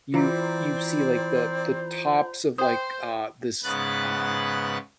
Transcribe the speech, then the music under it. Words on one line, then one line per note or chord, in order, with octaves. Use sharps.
you you see, like, the the tops of like, uh, this, uh
E3 C4 F4 C5 D5 A#5 B5
C5 G5 D#6
G#2 C#3 B3 B4 F#6 A6